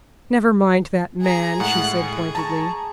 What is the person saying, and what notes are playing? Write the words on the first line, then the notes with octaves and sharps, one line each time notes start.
"Never mind that man," she said pointedly.
G#4 A#5
A2 G#3 F#5 F#6
G#4
A5 A#5 C#6